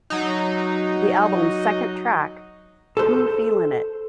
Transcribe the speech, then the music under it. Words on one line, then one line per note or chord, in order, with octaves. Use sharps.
The albums second track, Who Feelin' It?
F#3 D#4
A4 C5